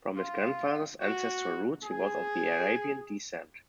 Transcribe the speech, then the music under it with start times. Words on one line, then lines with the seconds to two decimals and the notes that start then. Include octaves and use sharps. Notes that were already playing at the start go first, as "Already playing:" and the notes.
From his grandfather's ancestral roots, he was of the Arabian descent.
0.16 F4
1.01 F#4
1.83 G#4